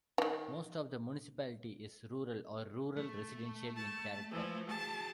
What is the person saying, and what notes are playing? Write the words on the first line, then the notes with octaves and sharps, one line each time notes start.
Most of the Municipality is rural or rural-residential in character.
D#3 E3
A3
A5
E3 F3
F#4 G#4 A5